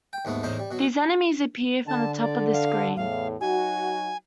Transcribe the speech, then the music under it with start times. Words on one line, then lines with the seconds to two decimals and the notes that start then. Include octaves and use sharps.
These enemies appear from the top of the screen.
0.13 G5
0.25 D#2 G#2 A3 B3
0.43 E2 A2 D#4 C5
0.59 G3
0.71 B2 F#3
1.87 D3 A5
2.20 D5
2.53 F5
2.96 E2 A2 F5
3.41 F#3 D#4 F#4 G#5